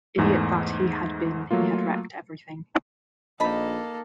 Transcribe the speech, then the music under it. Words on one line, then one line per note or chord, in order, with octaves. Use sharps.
Idiot that he had been, he had wrecked everything!
E2 G#2 A3
F#3 A3 A#3 F4
A#1 A#3 D#4 A4 D#5 A5 B5